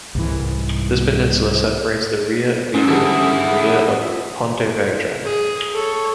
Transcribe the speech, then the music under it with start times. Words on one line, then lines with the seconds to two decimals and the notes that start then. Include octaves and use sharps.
This peninsula separates the Ria of Vigo from the Ria of Pontevedra.
0.15 C2 G#2 E3
2.74 G#2 C#4 A4
2.88 D3 E3 G3 E4 G#4 F#5
4.02 F4 E5
5.24 G#4
5.74 A4 C#5